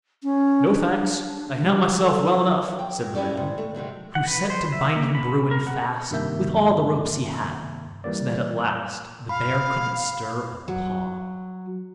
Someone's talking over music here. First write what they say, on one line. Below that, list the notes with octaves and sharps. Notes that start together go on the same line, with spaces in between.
'No, thanks, I can help myself well enough', said the man, who set to binding Bruin fast with all the ropes he had, so that at last the bear couldn't stir a paw.
C#4
D4
G3
A4
G5
E3 F#3
C#4 E4 F#4 G4 A4 D5
G#2
A3
C3 D#3 F#3 G#3
F#5
B4
C5
E5
A#3
B5
A#4
F#5
G2 C3 D#3 A#3 E5 G6
E3 G3 A#3 D5
F5 B5
F#3